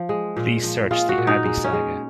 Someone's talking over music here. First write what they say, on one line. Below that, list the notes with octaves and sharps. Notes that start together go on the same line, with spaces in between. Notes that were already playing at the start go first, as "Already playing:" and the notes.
Please search the Abby saga.
Already playing: F3
G#3
A#2
F3
G#3 F4
F#4
A#2
D#4
G#3
C#4
G#3